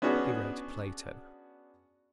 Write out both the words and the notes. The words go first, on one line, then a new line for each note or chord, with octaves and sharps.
He read Plato.
B3 C#4 D4 F#4 G#4